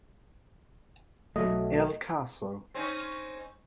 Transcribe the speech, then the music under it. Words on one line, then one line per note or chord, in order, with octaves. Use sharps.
El Caso.
B1 F#3 A3 D#5
C4 C#4 D#4